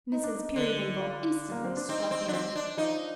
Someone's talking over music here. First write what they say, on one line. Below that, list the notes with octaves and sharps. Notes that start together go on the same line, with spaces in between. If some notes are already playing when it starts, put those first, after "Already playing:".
Mrs. Peerybingle instantly struck in.
D#4
D4
D#4
D3
F4
A#3
C4
D4
C4 D#4
C4
D4
C4
D4
F3 D#4